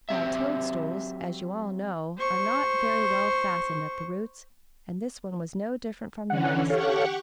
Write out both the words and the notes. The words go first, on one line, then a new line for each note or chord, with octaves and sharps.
Now toadstools, as you all know, are not very well fastened at the roots, and this one was no different from the rest.
F#3 C4 G4 E5
C5 C#6
D3 E3 C#4 F#5
G4 A4 C#5 F5 F#5 C#6